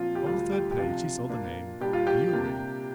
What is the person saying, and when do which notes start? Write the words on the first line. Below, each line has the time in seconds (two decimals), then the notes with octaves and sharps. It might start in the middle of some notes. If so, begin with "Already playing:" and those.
On the third page he saw the name Bewery.
Already playing: A#2 F3 C4 F4
0.15 G4
0.26 D2 D3 G3 D4 F4
0.52 G4
0.71 G4
0.78 C3 F3 D4 F4
1.29 A#2 A#3 D4
1.81 A#2 G3 D4 G4
1.93 F4
2.07 G4
2.33 C3 A#3 D4